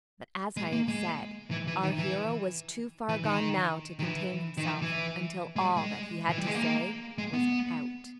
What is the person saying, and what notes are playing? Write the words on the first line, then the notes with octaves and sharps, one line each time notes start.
But, as I have said, our hero was too far gone now to contain himself until all that he had to say was out.
G#3
A#3
G#3
E3
E3
D#3
E3
E3
D#3
D#3
E3
D#3
E3
E3
G#3
G3
G#3
E3
G3
G#3
A#3
G#3
B3